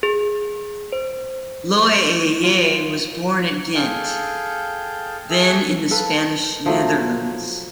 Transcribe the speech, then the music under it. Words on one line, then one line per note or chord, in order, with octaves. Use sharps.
Loeillet was born at Ghent, then in the Spanish Netherlands.
G#4
C5
F4
G#4 A4 F5 G5
G#4 A4 E5
A4 B4 F5
F3 F#3 A3